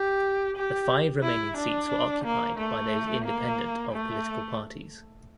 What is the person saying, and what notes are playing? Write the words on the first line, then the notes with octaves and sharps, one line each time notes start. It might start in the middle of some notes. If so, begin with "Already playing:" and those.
The five remaining seats were occupied by those independent of political parties.
Already playing: G4
G4
E4
D4
A#3
A3
A#3
A3